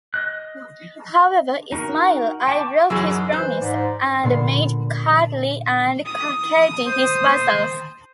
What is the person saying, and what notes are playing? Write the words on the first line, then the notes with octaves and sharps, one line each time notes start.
However, Ismail I broke his promise, and made Kartli and Kakheti his vassals.
D#5 F#6
D#4 F#4 A#4
G5 A5 B5 C#6 D6
F#2 E3 F#3 F#4 G#4 E6
G#2 G#3
E3 C5 F#6 G6
G#2 D5
A#2 D3 B3 C6
D#6
C5